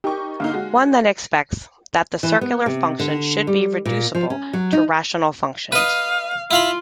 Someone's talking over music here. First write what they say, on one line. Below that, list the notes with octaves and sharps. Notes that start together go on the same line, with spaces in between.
One then expects that the "circular functions" should be reducible to rational functions.
D#4 G4 A#4 C#6
D3 A#3 D#4 F5
G#3 F#4
E3
B3
C3
D3
G3
A#2
F3
C#4
F#3
D#4
B4 D#5 F5
E4 F4 F5 B5